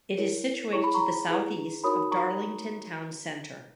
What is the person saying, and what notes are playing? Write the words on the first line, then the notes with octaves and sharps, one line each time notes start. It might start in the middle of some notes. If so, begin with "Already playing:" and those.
It is situated to the south-east of Darlington town centre.
E4 A#4 C#5
E4 G#4 C#5 C#6
B5
A#5 C#6
E4 G#4 B4
D#4 F#4 A#4 C#5 B5 D#6
A#5 C#6